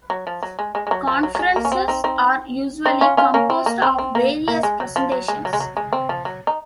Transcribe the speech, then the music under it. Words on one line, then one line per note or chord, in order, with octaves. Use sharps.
Conferences are usually composed of various presentations.
F#3
F3
F#3
G#3
G#3
G#3
F#3
F3
F#3
F#3
G#3
A#3
C#4
C4
C4 D#4
C4 D#4
C4 D#4
C#4 F4
C#4 F4
A#3 C#4
C4
A#3
C4
C4
A#3
A#3
G#3
F#3
F3
F#3
G#3
F#3
G#3
F#3
G#3
C4
F3
F#3
D#4